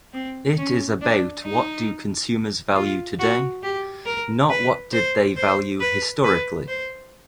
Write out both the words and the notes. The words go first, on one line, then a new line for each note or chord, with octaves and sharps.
It is about what do consumers value today, not what did they value historically.
C4
C#4
D4
D#4
F4
F#4
G4
A#4
B4
C5
C5
B4
B4
C5